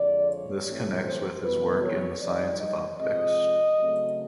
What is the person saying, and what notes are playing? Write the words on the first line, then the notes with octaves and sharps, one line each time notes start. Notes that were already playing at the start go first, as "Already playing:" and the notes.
This connects with his work in the science of optics.
Already playing: F2 D3 F3 G#3 D5
C#5
G2 E3 A3 C4
C5
C3 E3 G3 B3 B4
C#5
G2 D#3 G3 D5
D#5
C3 F3 G#3 C4 D#5
C#3 F#3 A3 C4